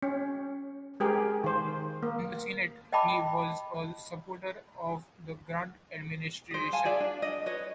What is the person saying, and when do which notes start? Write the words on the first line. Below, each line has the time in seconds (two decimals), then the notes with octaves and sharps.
In the Senate he was a supporter of the Grant Administration.
0.02 C#4
1.00 G#3 G4 G#4 A#4
1.44 D#3 C5
2.03 A#3
2.92 D#5 G5 A5 B5 D6
6.51 G#4 C5
6.73 F5 G#5 A5
6.85 G#4 C#5 D5 E5
7.00 D4
7.22 D#5
7.46 B4 C#5 D#5